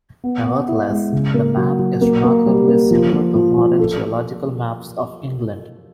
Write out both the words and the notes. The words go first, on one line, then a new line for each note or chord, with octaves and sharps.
Nevertheless, the map is remarkably similar to modern geological maps of England.
B3
B3
E4
G#3
C#3
A#3
F#3
F#3
A#3
A#3
G3
A#3
F3
F3
F3
F3
A4